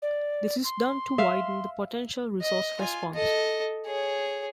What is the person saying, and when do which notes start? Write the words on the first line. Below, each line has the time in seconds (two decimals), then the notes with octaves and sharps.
This is done to widen the potential resource response.
0.02 D5
0.64 C6
1.18 E5 F5
2.41 D#5
2.78 F4 G#5
3.14 A4 D#5
3.86 G#4 C#5